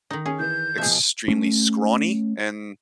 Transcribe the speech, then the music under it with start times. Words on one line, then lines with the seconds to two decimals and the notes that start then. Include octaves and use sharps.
extremely scrawny, and
0.11 D#3 D#4
0.26 C#4 G#4
0.39 E3 G6
0.78 B2 F3 G#4 E5
1.28 A3 C#4